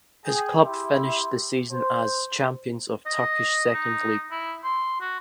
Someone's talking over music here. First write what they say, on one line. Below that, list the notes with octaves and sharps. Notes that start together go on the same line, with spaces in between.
His club finished the season as champions of Turkish Second League.
G#4 G5
E4 G4 E5 C6
C5
D#5
D#4
E4
C6
F#4